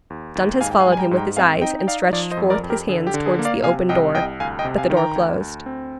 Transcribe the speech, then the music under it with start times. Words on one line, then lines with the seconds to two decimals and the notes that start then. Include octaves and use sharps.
Dantes followed him with his eyes, and stretched forth his hands towards the open door; but the door closed.
0.10 D#2
0.35 D#2
0.61 G#2 F5 G#5
0.71 G5
0.80 F5 G#5
0.87 G3
0.92 G#5
0.98 G5 A#5
1.11 G#2
1.17 G5 A#5
1.37 C4 F5 G#5
1.61 D#4 D#5 G5
1.79 G5
1.87 D#4 D5 F5
2.13 F3 D5 F5
2.32 C5 D#5
2.37 F2
2.50 A#4 D5
2.63 F2
2.70 G4 A#4
2.89 D3 G#4
3.07 G4
3.14 D3
3.26 G#4
3.39 A#3
3.45 D5 F5
3.64 C3 F5 G#5
3.89 C2 D#5 G5
4.14 C2 D#5 G5
4.40 D2 F5 G#5
4.59 D#5 G5
4.65 C3
4.78 F5 G#5
4.90 D#3
4.97 G5 A#5
5.16 D2
5.40 D2
5.66 C4